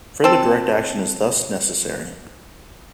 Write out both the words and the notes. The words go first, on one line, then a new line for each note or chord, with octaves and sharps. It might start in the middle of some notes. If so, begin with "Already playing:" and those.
Further direct action is thus necessary.
C4 A4